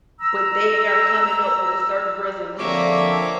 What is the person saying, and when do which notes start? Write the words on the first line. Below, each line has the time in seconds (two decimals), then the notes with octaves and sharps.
but they are coming up with a certain resolution
0.20 A#5 E6
2.58 D3 F3 A#3 C4 C#5 E5 D6